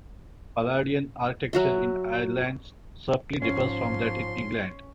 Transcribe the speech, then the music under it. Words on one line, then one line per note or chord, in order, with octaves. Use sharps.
Palladian architecture in Ireland subtly differs from that in England.
F#3 F#4 E5
G#2 F3 C#4 C6